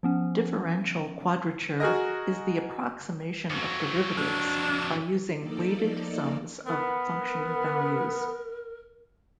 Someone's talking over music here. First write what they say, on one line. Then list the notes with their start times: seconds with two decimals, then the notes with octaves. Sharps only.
Differential quadrature is the approximation of derivatives by using weighted sums of function values.
0.03 F3 B3 C#4
1.80 F#4 G#4 A#4 D#5
3.50 F2 F#3
4.17 D4
5.38 F3 A#3 D#4 A4 D5
6.66 B3 A#4